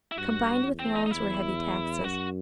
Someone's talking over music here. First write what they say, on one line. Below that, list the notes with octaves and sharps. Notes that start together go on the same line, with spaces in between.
Combined with loans were heavy taxes.
E4
G2 F#4
E2
C4
D#4
D#4
E2 E4
F#2 F#4